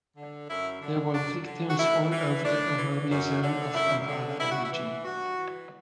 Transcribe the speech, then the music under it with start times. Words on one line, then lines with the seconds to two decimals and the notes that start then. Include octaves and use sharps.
There were victims all over the Oromia Zone of Amhara region.
0.16 D3
0.49 F#2 E4
0.81 D3
1.13 F#2 D4
1.46 D3
1.68 F#4
1.78 A2 E4
2.11 E3
2.44 A2 D4
2.76 E3
3.09 F#2
3.42 D3
3.74 F#2 E4
4.07 D3
4.39 G2 E4
4.50 F#4
4.63 E4
4.72 E3
5.04 G2 F#4
5.37 E3